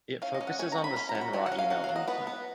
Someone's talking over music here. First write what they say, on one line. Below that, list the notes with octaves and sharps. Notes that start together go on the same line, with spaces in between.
It focuses on the Send Raw Email endpoint.
C#4 F5
D#5
C#4
F#5
C#4 G#5
A#5
C#4
B5
C#4 B5
A#5
F#3
B5
F#3 G#5
F#5
C#4
F5
F#3 F#5
F5
F#3
D#5
B3 B4
B3